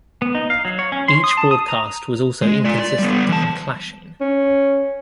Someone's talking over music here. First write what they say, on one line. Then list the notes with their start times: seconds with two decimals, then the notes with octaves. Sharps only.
Each broadcast was also inconsistent and clashing.
0.22 B3
0.35 D#4
0.50 F5
0.65 F#3
0.79 C#5
0.92 C#4
1.08 C6
1.24 D#6
1.37 A5
1.51 D#6
1.68 A#5
2.42 G#3
2.65 F4 D5
2.79 D5
2.99 G3 B3
3.29 E3 A5
4.21 C#4